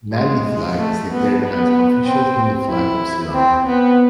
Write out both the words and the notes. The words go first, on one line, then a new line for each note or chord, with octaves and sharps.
Nandi flag is declared as the official Hindu flag of Sri Lanka.
G#3
A3
B3
B3
C4
E4
C4
B3